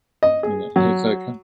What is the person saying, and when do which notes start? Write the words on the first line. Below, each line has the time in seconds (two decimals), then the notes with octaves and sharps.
you know, it's like, "Huh."
0.23 D#5
0.43 G#4
0.76 F#3